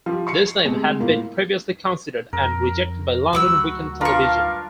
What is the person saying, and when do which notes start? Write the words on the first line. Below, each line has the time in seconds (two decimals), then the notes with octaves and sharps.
This name had been previously considered and rejected by London Weekend Television.
0.06 F3 G4
0.27 C#6 C7 C#7
0.65 C3 G#3 A3
1.00 A2 A#3 F4
2.33 F2 A#4
3.33 D2 F#3 G3 F#4 B5 D6 E6
4.01 D4 F4 A#4 B4 F5 C#6